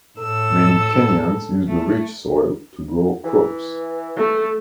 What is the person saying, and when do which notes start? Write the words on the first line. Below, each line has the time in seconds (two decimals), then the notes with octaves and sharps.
Many Kenyans use the rich soil to grow crops.
0.18 A2 A4 E6
1.69 A3
3.24 E3
4.17 A3